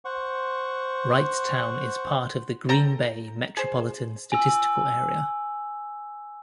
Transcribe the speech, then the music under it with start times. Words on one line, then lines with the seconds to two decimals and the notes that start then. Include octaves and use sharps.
Wrightstown is part of the Green Bay Metropolitan Statistical Area.
0.05 C5 F#5 C#6
2.69 A4 G5 A#5
3.57 G#4 C5
4.32 G#5 E6